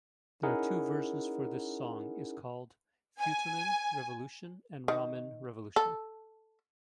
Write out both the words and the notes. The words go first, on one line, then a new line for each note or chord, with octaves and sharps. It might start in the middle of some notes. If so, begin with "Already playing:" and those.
There are two version for this song is called Futomen Revolution and Ramen Revolution.
C#4 D#4 E4 G#4 A#4 F#5
G#5
D#3
A4